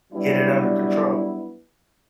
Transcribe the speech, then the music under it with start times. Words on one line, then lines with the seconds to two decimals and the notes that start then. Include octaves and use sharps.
get it under control.
0.13 F#3 G3 B3 D4 E4